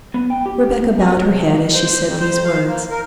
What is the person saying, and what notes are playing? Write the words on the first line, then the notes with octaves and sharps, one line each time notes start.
Rebecca bowed her head as she said these words.
B3
G5
G4
C#4
C3
A#3
C5
F2
C5
F5
A#3
A#4